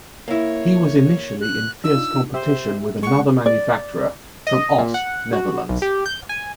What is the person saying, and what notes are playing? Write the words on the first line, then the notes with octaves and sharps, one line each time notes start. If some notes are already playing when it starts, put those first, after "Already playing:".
He was initially in fierce competition with another manufacturer from Oss, Netherlands.
A#3 E4 C#5
F#6
D4 D#4 F4 E6
G4 C5 E5
G#3 F#5 C#6
D5
D#5
A#2
F#5
F#4
B1
G4
G6
G#5